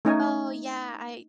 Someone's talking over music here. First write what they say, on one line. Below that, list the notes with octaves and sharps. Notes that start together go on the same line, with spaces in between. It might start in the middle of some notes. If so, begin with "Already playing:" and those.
Oh, yeah, I
A3 C#4 D#4 C#5 G#5